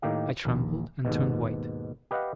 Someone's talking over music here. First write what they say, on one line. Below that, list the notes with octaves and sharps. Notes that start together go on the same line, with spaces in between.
I trembled, and turned white.
A2 D#3 A#3 G4 F5
A#1 D#2
D#2 G#2 B2
G4 B4 D#5 F5 F#5